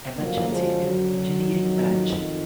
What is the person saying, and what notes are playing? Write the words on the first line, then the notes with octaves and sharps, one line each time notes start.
Emergency and engineering branch.
F#2 D3 F3 F#3 A#3
F3 G#3
F#3
F2 D#3